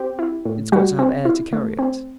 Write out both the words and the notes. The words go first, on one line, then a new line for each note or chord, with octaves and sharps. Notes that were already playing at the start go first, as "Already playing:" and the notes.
It's got to have air to carry it!
Already playing: C4 G4
E4
A2
G3 F#4
C4
E4
A3
C4